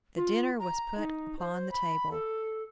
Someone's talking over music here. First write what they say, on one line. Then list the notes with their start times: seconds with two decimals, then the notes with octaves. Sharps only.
The dinner was put upon the table.
0.16 F4
0.60 A#5
0.98 D#4
1.39 C5
1.72 B5
2.11 A4